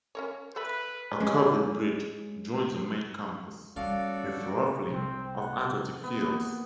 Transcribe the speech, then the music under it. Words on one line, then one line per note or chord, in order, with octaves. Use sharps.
A covered bridge joins the main campus with roughly of athletic fields.
C#4 A#4 C#5
A4 B4 E5 B5
G#3 C#4
G3 A3 C#4 F#4 A4 D5 F5
C2 C4
F#5
A#3 B3